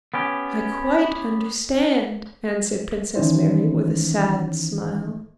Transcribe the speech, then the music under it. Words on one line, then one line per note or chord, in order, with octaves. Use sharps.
"I quite understand," answered Princess Mary, with a sad smile.
B3 C#4 G4
D#3 E3 C#4 D#4 E4 C5